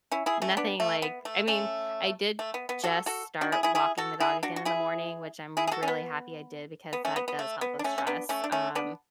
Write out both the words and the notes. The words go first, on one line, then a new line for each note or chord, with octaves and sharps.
nothing like I mean, I did just start walking the dog again in the morning, which I'm r really happy I did because that does help with stress, um.
C#4 E4
E4 G#4
A3 C#4
B3 D4
A3
B3
A3
A3 C#4
A3
B3
B3
F#4 A4
F#4 A4
D4 F#4
E4 G#4
E4 G#4
E4 G#4
F#4 A4
E4 G#4
D4 F#4
F#4
E4 G#4
E4 G#4
G#4
F#4 A4
C#4
B3
B3
A3 C#4
B3
B3
A3
B3
D4
A3 C#4
C#4
B3 D4
A3 C#4
D4
A3 C#4
B3 D4